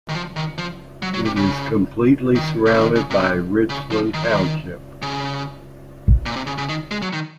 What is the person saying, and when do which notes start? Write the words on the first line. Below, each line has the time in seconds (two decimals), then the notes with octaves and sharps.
It is completely surrounded by Richland Township.
0.09 D#3
0.14 F3
0.36 D#3
0.58 F3
1.03 F#3
1.14 F#3
1.25 C3
1.36 C#3
2.36 D#3
2.66 C3
2.74 C#3
2.80 D#3
2.95 C#3
3.10 C3
3.70 C#3
3.91 F3
4.14 D#3
4.22 F3
4.31 D#3
5.02 C#3
6.26 A#2
6.36 C3
6.47 C#3
6.58 C#3
6.69 D#3
6.91 G#3
7.02 F#3
7.13 D#3